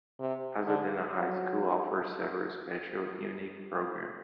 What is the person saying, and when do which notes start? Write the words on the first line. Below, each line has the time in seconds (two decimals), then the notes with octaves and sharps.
Pasadena High School offers several special unique programs.
0.20 C3
0.67 D3
1.13 F#3